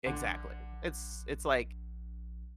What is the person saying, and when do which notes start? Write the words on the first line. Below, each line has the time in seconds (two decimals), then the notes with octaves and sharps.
Exactly. It's it's like
0.06 A#1 D3